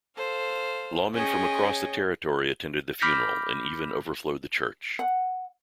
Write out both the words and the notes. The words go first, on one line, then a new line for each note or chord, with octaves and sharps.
Lawman from across the territory attended the funeral and even overflowed the church.
A4 C5 F5
C#4 G#4 C#5 D#5 G5 G#5
B5 D6 F6 G6 A#6 B6
F#5